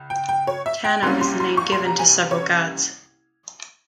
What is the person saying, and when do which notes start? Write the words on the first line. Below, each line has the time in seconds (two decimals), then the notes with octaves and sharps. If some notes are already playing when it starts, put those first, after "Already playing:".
Tano is the name given to several gods.
Already playing: C#2
0.10 G5
0.29 G5
0.47 C#5
0.66 E5
0.84 G5
1.02 C2 C3 G3 A#3 C#4 C6
1.21 C6
1.40 C6
1.57 C#6
1.72 C6
1.85 A#5
1.99 G#5
2.31 C#5